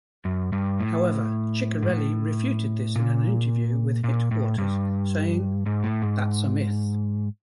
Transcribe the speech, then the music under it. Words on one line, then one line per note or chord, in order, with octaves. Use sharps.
However, Chiccarelli refuted this in an interview with HitQuarters saying, That's a myth.
F#2
G2
A2
G#2
A2
A#2
A#2
A2
G2
G#2
A2
G#2